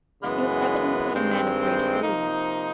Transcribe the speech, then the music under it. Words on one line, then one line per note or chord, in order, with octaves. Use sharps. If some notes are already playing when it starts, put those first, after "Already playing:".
He was evidently a man of great holiness.
F#2 C#3 E3 G#3 B3
G2 D#3 G#3 C4
C3 F3 A#3 D#4